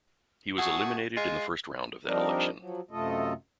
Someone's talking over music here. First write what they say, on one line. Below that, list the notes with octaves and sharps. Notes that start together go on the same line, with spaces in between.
He was eliminated in the first round of that election.
A3 F#4 G#4
G#3 F4
F3 G3 C4 D4 D#4 A#4
F3 F#3
F#2 C3 A3 F4 A4 D#5